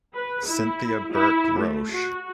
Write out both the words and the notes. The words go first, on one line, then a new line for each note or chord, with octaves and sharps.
Cynthia Burke Roche.
B4
E4
E4
A3
F#4